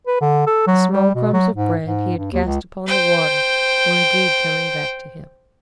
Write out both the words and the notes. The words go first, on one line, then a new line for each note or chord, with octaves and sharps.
The small crumbs of bread he had cast upon the water were indeed coming back to him.
B4
D3
A4
F#3
G3
B2
F#3
G#2
G#2
G2
D#2
C#2
C5 G5